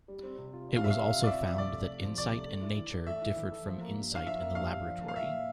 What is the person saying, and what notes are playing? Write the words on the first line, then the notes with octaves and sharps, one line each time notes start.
It was also found that insight in nature differed from insight in the laboratory.
G3
C4
C3
F4
G3
F5
C4 E5
F5
C3
F4
D5
C3 E5
F3
C2 D5
A3
C3
F3
C2 D5
A3
A3
E4
E3
A4
A3 E5
E4
E3
A4
F3
A#3
G2
D4 F5
F3 E5
A#3
G2 F5
D4
F3
A#3
F5
A#2 E5
A#2